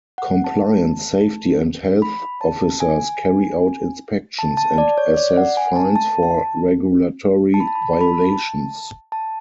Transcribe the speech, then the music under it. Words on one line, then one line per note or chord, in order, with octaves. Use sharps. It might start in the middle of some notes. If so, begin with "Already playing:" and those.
Compliance Safety and Health Officers carry out inspections and assess fines for regulatory violations.
F#5
A5
B5
A5
G#5
A5
A5
D5
C#5
D5
F#5
G#5
A5
A5
A5
A5
B5
A5
B5
A5
A5
B5
A5
A5
A5